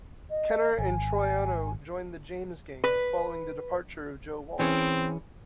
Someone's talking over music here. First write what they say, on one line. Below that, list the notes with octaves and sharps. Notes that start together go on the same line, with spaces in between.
Kenner and Troiano joined The James Gang, following the departure of Joe Walsh.
D#5
G#1 G#5
B4
E3 C4 C#4 G#4